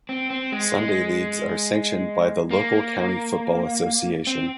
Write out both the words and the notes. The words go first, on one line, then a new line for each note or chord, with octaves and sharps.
Sunday leagues are sanctioned by the local County Football Association.
C4
C4
G#3
G#3
A#3
C4